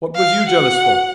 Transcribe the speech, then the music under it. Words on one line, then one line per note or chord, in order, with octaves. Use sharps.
What was you jealous for?
F5
F#4 F#5